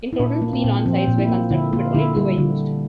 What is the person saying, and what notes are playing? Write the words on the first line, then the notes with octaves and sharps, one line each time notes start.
In total, three launch sites were constructed, but only two were used.
E4
A#2 D4
A#3
C4
A#2
F3 C4
A#2
E4
A#3
D3 E4
A#3 F4
D3 E4
G3 E4
D3